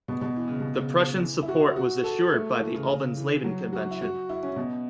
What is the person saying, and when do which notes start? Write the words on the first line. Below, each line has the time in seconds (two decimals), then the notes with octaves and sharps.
The Prussian support was assured by the Alvensleben Convention.
0.08 B2
0.21 B2
0.36 E3
0.48 C#3
0.60 B2
0.74 C#3
1.20 E3
1.42 E4
1.48 F#4
1.76 F#4
2.04 A4
2.33 A3
2.60 E3
2.75 C#3
2.88 C#3
3.17 E3
3.44 F#3
3.73 F#4
3.91 E4
4.01 F#4
4.29 E4
4.43 C#4
4.56 B2